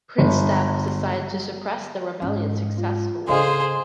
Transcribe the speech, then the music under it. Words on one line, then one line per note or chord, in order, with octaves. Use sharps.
Prince Thap was assigned to suppress the rebellion, successfully.
G1
G#2 C#4
F4
C#3 G#4 A4 C5 D#5 F5 C6